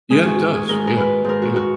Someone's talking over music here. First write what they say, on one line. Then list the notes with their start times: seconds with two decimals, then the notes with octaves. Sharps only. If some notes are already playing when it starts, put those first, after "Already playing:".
Yeah, it does, yeah, yeah,
0.10 G#2 D#3 G#3 G#4
0.25 F#4
0.40 F#4
0.54 G#4
0.68 G#2 D#3 G#3 A#4
0.87 A#4
0.97 B4
1.24 G#2 D#3 G#3 A#4
1.42 F#4
1.56 F#4